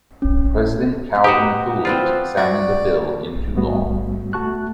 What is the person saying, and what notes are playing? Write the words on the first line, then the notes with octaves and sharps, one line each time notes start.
President Calvin Coolidge signed the bill into law.
C#4
B3 D#4 F#4 G4 F#5 D6 D#6
F3 C4 F4 B4 D5
F#4 D5
G#2 G3 A3 B3 F#4
C2 A3 F#4 A5 C#6 F#6